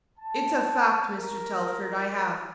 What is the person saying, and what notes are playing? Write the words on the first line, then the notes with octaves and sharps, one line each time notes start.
It's a fact, Mr. Telford--I have.
A5
A#4